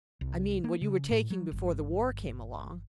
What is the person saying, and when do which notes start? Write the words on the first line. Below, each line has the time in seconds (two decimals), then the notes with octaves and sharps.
I mean what you were taking before the war came along.
0.21 C2
0.64 A#3
0.81 C#3
1.11 A2
1.30 F#3
1.52 G1